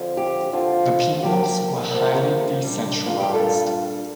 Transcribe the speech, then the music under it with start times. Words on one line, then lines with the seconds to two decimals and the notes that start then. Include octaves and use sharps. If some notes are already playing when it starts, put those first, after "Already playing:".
The peoples were highly decentralized.
Already playing: F2 D3 F3
0.17 G4
0.52 F2 D3 F3 F4
1.13 F4
1.22 E2 D3 F3 A#3 G4
1.92 E2 D3 F3 A#3
2.63 A#2 G3 D4
3.06 F4
3.20 G4
3.33 A#2 G3 D4 F4 A4